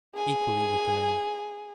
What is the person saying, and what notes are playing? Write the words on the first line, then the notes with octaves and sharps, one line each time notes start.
Equally with the men.
G#4 G#5